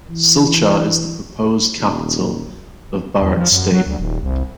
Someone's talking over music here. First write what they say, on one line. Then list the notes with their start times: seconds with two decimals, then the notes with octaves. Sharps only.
Silchar is the proposed capital of Barak state.
0.10 E3
1.78 D#1
3.22 E2
3.37 F3
3.52 F#2
3.72 F#3
3.87 D2
4.00 D#1
4.23 C2